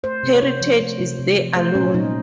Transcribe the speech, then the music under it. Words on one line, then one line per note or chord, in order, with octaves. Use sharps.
Heritage is there alone.
A3 C5
C3
C#5
C3 C5
F3
A3
C3
C3
F3
A3 C5
A#2 C#4
A#2 D#4